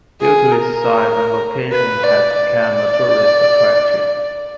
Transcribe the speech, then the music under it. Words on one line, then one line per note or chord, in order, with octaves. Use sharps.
Due to its size and location, it has become a tourist attraction.
G#4
A#4
B4
D5
D5